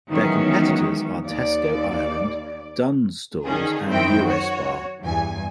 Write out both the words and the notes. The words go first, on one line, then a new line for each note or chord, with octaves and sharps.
Their competitors are Tesco Ireland, Dunnes Stores and Eurospar.
D#3 E3 F#3 G#3 B3 C#4
D#2 D5
D3 D#3 C#4 G#4
F#2 D#3 C4 E4 G5
F#4 C#5
E2 G2 G#5